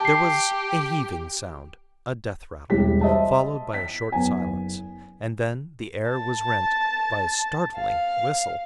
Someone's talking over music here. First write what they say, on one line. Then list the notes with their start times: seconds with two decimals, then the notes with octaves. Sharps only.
There was a heaving sound, a death-rattle, followed by a short silence; and then the air was rent by a startling whistle.
0.01 G4 A5 C7
2.70 E1 C2 G3 G#3 B6
3.01 C5 D#5 E5 A5
3.74 B6
4.12 F#1 B3 G#5
6.09 A5
7.75 F5